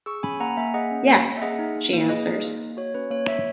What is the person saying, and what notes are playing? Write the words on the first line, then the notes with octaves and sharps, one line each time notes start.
"Yes," she answers.
G#4 C#6 E6
C#4 G#5 B5
A#3 F#5 A#5
A#3 E5 G#5
G#4 D#5 F#5
C#4
A#3
A#3
E5
G#4 D#5 F#5
D#4
A#3
A#3
G#4 B4 D#5
D#4
A#3
A#3
F#4 C#5
C#4 B4
A#3 C#5
A#3 C#5 E5